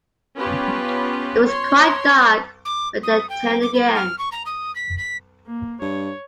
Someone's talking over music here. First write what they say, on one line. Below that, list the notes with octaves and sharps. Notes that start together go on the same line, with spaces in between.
It was quite dark when they turned again.
B3 C#4 F4 G4 B4
C#5 C6
D6
D#6
G5
D6
B5
F6
C#6
A#5
D#6
B6
B6
A#3
G2 C#5